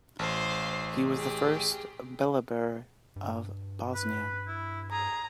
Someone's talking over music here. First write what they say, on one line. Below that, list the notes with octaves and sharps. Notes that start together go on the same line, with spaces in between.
He was the first beylerbey of Bosnia.
A1 C5 F5
G4 G#4
G2
B4
E4
G#4 A#5